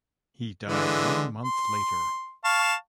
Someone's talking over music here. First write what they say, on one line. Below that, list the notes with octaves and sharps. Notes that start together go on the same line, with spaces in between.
He died one month later.
D3 E3 G#3
C6
F5 A5 C#6